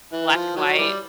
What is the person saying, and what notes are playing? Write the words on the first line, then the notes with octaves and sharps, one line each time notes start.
black and white,
E3
F3
D#3 F#3
E3 G3